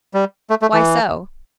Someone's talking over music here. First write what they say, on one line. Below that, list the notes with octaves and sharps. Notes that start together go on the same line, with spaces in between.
"Why so?"
G3
A3
A3
E3